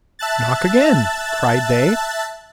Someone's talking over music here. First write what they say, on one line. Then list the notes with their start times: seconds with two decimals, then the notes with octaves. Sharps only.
'Knock again!' cried they.
0.19 E5 A5 F#6 A6